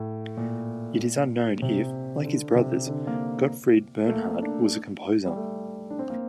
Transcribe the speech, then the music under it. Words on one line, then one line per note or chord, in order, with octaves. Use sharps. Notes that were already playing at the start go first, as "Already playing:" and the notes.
It is unknown if, like his brothers, Gottfried Bernhard was a composer.
Already playing: A2
A#2
C3
D3
C3
D3
A#3
A3
A#3
D4
G3
A3
D4
C4
A#3